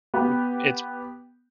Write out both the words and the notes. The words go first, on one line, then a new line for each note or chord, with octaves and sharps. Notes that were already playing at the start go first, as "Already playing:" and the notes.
m it's
B3 G4